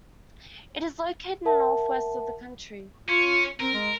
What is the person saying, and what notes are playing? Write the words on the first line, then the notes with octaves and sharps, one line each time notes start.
It is located in the northwest of the country.
A#4 E5 F#5 A5
C#4 F4
C4 A#4
G#3